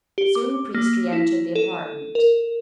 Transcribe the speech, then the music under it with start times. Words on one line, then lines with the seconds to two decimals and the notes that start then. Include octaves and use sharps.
Soon the priest re-entered the apartment.
0.18 G4
0.35 D6
0.74 A#3
1.13 E4
1.55 A4
2.15 A#4